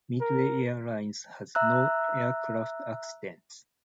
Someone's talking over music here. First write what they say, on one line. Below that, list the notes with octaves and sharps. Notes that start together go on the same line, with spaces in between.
Midway Airlines had no aircraft accidents.
A#4
E5 A#5 E6 F#6